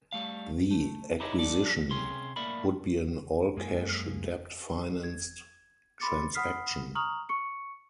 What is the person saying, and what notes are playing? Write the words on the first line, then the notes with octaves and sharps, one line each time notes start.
The acquisition would be an all-cash, debt-financed transaction.
G3 A3 F5
A3
D#4 E4 G4 A#4 C#5 D#5
F#2 A4 D5
C3 C#4 G#4 C6
A2 A#3 A#4 D5 E5 B5
F#2 G#3 A#3 G4 G#5
G#6
B5 C6 D6 A6 C#7
F#5 B5 D#6 F6 B6 C7
A#5 C#6 D#6 F6 F7 F#7
C#6 C#7